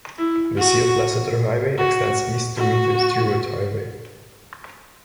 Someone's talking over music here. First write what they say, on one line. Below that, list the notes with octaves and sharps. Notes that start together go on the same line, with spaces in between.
The sealed Lasseter Highway extends east to meet the Stuart Highway.
E4
F#4
F#4
F#4